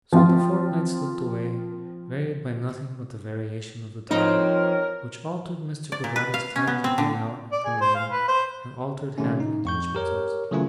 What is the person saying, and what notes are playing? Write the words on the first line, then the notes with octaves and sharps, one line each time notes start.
So the fortnight slipped away, varied by nothing but the variation of the tide, which altered Mr. Peggotty's times of going out and coming in, and altered Ham's engagements also.
F3 C4 F4
F3 C4 D#4 A#4 C#5
D5
A#2
B4
F5
C#4
B3
C4
D3
D5
G#4
C5
F5
B4
C5
C3 D#3 A3 C#4
D#4
F2 C#6 G6
G4 A#4 C#5
C#3 E3 F#3 A3 C#4 F4